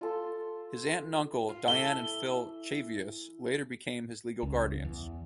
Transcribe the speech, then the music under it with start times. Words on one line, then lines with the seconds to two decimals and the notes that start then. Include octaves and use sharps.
His aunt and uncle, Dianne and Phil Cheavious, later became his legal guardians.
0.01 F4 A4 C6
1.49 F4
1.68 E3 A4 E5 G7
4.43 C#2
4.85 E2